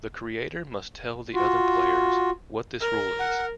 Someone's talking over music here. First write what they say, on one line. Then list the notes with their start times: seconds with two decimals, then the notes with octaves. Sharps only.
The creator must tell the other players what this rule is.
1.34 F4 F#4
2.81 A#4
3.19 F#5